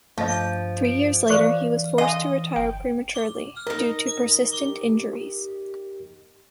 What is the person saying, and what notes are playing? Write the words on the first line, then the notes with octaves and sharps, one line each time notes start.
Three years later, he was forced to retire prematurely, due to persistent injuries.
G2 F3 A3 D#5
D7
E3 A#4 D5 F5 C#6 F#6
D#5 F5 G#5 C6
G1 G5
D#4 A#4 D#5
G4